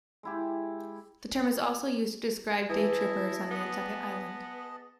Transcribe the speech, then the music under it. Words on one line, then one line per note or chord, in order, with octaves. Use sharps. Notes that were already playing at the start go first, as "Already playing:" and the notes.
The term is also used to describe "day-trippers" on Nantucket Island.
G#3 E4 G4
E3 E4 G#4 D#5 A5
B3